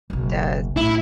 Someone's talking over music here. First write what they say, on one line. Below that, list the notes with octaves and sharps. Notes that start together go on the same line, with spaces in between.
It does.
F#1 B1
A2 A3 E4